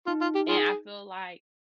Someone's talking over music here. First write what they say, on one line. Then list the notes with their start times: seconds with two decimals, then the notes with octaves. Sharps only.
and I feel like
0.06 D#4 F4
0.21 F4
0.35 G4
0.48 F4 G#4